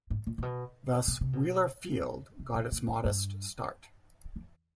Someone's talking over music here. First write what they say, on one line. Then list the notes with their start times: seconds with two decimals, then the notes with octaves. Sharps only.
Thus Wheeler Field got its modest start.
0.10 G#2
0.27 A#2
0.38 A#2
0.42 B2
1.08 B2
1.21 C3
1.33 B2
2.39 C3
2.55 B2
2.72 A#2
2.89 A2
3.04 G2
4.36 F2